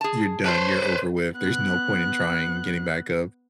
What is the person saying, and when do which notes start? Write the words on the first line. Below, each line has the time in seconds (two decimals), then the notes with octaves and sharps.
You're done, you're over with, there's no point in trying getting back up.
0.01 G#4 A5
0.45 B4 C5 A5
1.37 B3 F#6